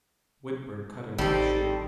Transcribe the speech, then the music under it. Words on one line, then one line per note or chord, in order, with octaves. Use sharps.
Whitburn cut him off short.
A1 D#3 G3 C4 A4